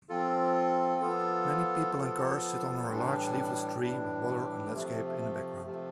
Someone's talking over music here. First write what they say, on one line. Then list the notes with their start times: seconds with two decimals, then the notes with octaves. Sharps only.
Many people and cars sit under a large leafless tree with water and landscape in the background.
0.09 F3 C4 F4 A4
1.01 F3 B3 F4 A4
1.94 F3 B3 F4 A4
2.87 A2 E3 G3 D4
3.80 A2 E3 G3 D4
4.72 C3 F3 A3
5.65 C3 F3 A3